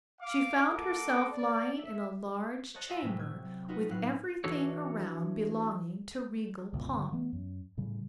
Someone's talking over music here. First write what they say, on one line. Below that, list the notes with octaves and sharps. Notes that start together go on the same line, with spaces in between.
She found herself lying in a large chamber, with everything around belonging to regal pomp.
F5 D6
A#3 A4 A#4 F#5 D6
D5
E5
C5 C#5 D#5 A5 F#6
D#5 E5 G#5 B5
A2 C3 F#3 A3
G#6
D#4 F4 F#4 B4 D#5
A2 F#3 B3 F5 F#6 C7
E3 D4 F#4 A4 C#5
G1 C#2 B2
G2 D3
E3 A3 B3
F#2
A2 C#3 G3